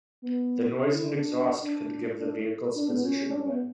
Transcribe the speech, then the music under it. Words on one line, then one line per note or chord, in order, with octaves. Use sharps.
The noise and exhaust could give the vehicle's position away.
B3
C#4
E4
D4
D4
D4
D4
B3
C#4
C#4
D4
C#4
B3